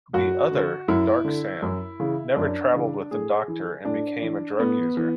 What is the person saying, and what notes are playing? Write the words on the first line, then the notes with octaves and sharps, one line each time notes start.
The other, "Dark Sam", never travelled with the Doctor and became a drug user.
F#2 F#4
D3
F#2 E4
D3
F#2
C#3 E3
F#2 D4
C#3 E3
A2 G#4
E3
A2 D4
E3
A2 B3
E3